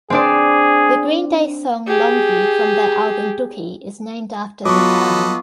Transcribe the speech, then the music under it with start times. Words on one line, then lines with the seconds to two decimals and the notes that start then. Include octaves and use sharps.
The Green Day song "Longview" from their album "Dookie" is named after the town.
0.10 C4 D4 G#4 D5
1.87 G4 G#4
4.65 F#3 B3 F4 A4 B4 D#5 C#6 D6